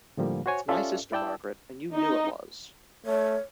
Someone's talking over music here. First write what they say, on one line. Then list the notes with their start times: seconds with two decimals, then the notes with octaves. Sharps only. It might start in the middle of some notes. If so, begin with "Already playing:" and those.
It's my sister Margaret, and you knew it was!
0.17 A2 D3 F3 G3 A#3
0.46 F#4 C5 C#5 G#5
0.69 C#4 F4 G4 A4 D5 E5
1.12 E4 D5 G5 A5 E6
1.95 D#4
3.06 A3 C#5